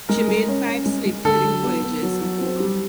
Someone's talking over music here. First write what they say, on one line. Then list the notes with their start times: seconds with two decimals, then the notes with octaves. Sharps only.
She made five slave trading voyages in all.
0.09 G#3 A#4
0.28 G#3
0.48 C#4
0.67 C#4
0.86 G#3
1.06 G#3
1.25 D3 A4
1.44 F#3
1.63 B3
1.83 B3
2.02 F#3
2.21 F#3
2.41 C4
2.60 G3